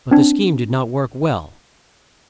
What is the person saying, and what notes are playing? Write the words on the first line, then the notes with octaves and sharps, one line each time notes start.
But the scheme did not work well.
C4 D4